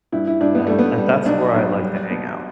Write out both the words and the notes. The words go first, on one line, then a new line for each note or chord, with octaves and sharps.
And and that's where I like to hang out,
G2 E4
E4
G2 D4
B3
G3 A3
B3
G3
B1 D4
B1
G3
B2